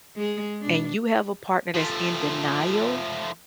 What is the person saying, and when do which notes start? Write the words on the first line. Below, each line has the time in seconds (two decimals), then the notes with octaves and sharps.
and you have a partner that's in denial,
0.17 G#3 G#4
0.62 B2 D4
1.74 F3 A3